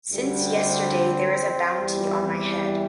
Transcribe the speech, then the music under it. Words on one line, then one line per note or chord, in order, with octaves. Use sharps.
Since yesterday there is a bounty on my head.
D2 D3 G3
C4
E2 E3 G3
C4